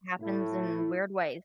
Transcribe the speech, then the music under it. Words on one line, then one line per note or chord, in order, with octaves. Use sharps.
happens in weird ways.
A2 A3 E4